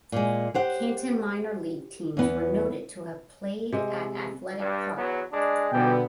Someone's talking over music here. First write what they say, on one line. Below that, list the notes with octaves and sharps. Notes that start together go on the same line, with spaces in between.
Canton minor league teams were noted to have played at Athletic Park.
A#2 G#3
G4 C5 F#5
E2 B3
C3 G#3
G2
E2 F#3 B3
G#3 D4
B2 D3 E3 F3 G3 B3 G5